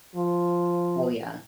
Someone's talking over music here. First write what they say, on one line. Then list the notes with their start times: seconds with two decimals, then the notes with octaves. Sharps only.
Oh yeah.
0.16 F3